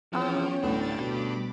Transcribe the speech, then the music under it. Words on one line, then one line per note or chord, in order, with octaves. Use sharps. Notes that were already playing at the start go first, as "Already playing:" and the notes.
Um, uh,
E2 F3 C#4 C#5 G5
D2 A2 G3 D4 G5 A6
B2 B5 D6